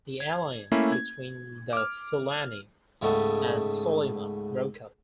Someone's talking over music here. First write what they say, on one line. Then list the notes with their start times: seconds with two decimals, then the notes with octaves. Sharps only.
The alliance between the Fulani and Solima broke up.
0.20 G#6
0.72 A3 A#3 C#4 E4
0.92 G#6
1.73 D6 F6
3.02 C#2 G#2 A3 B3 A4